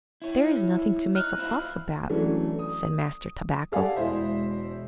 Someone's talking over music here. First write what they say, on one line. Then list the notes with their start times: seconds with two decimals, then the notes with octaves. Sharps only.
"There is nothing to make a fuss about," said Master Tobacco.
0.22 E4 C#5
1.15 D#4 F6 F#6
1.38 C4 E4 F4
2.09 E3 F#3 A3 C#4 D4
2.59 D#6
3.72 G4 A4 D5 F5 F#5 G#5
3.96 E1 G#3 E4 C5 E5